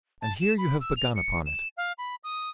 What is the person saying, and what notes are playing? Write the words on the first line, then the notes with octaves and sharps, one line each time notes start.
And here you have begun upon it.
A5
E7
B5
E6
F7
C#7
E7
F5
B5
D#6